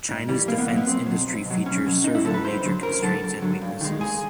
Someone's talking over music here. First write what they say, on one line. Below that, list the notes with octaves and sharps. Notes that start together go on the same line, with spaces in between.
Chinese defense industry features serval major constraints and weaknesses.
G#2
E3 G3
B1 A#3
B3
B2 F#3 A#3
B3
B1 C4
B2 F#3
B1
B2 F#3
B1 C#4
B2 F#3
F#2 D#4
E4
D3 F#3 A4
B4
F#2 C5
D3 F#3
F#2 A#4
D3 F#3 A4
F#2
D3 F#3
G2
D#3 G#3
G2 G#4